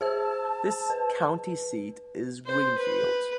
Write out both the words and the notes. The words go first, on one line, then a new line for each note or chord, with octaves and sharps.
The county seat is Greenfield.
G#4 C5 A5 E6
B4
C5
B4